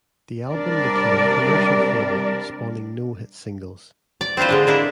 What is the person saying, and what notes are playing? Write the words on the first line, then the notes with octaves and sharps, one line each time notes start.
The album became a commercial failure, spawning no hit singles.
C3 G3 D4 A#4 D5
D5
C4 D4 E4 F4 C5
D3 G#3 D4
A#3 D4 E4